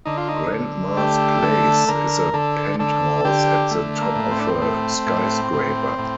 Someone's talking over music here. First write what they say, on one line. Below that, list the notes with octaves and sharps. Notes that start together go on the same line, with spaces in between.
Grandma's place is a penthouse at the top of a skyscraper.
D3 D#4
F4
D#4
D3
A3 G4
D3 A4
D3 A#4
D3 A4
D3 A4
D3 G4
A3
A#3
A2
C4
D4
C4
A3
A2
A2
A2